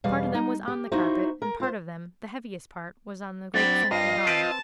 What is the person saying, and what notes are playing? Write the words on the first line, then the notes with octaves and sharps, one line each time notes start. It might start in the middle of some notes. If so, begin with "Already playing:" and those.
Part of them was on the carpet, and part of them--the heaviest part--was on the great central darn.
E2 B2 G3 F5
D#4
G4
A#3 D#4 E4 F#4 C5
A#4
F4 C5
F#3 C4 D4 B5 A6
G2 F4 D#5 A#6 C7
C4 B4 G5 A5